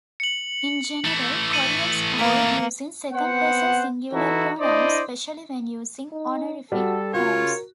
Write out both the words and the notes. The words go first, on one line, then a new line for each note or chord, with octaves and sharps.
In general, Koreans avoid using second person singular pronouns, especially when using honorific forms.
C#7 F#7
E3 A3
C#7 D#7 F#7
A#3
B3 C4 C5 F#5
E3 D#4 E4 F#4 A4
D4 E4 C5 D5 D#5
D#4
G3 F#4 A4
C#3 F4 F#4 A#4 C#5